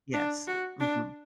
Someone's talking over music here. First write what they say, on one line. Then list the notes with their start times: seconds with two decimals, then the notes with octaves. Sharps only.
Yes, mhm.
0.13 D4
0.47 F#4
0.80 D4